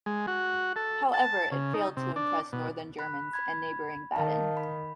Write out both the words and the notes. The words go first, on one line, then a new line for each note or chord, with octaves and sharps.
However, it failed to impress Northern Germans and neighboring Baden.
G#3
F#4
A4
A5
C#3
D#4
C3
D4
B2
B5 F#6
B5 G#6
D#3 F5 A5
B5